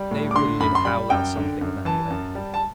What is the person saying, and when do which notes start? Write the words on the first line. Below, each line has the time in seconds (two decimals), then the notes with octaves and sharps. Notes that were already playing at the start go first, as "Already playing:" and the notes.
They really did howl out something in that way.
Already playing: G3
0.11 A2
0.31 D6
0.35 D3 C6
0.60 F#2 B5
0.75 C6
0.85 G3 B5
1.10 F#2 G5
1.36 D3
1.61 F#2
1.85 E3 A5
2.10 F#2
2.35 G3
2.54 A5